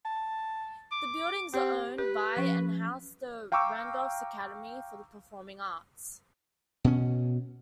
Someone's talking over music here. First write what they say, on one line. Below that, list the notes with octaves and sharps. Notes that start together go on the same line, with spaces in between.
The buildings are owned by and house the Randolph Academy for the Performing Arts.
A5
D6
C4 G4 F#5
G4 B4
F3 C#4
F5 G5 A#5 C#6 D6 E6
B2 C#4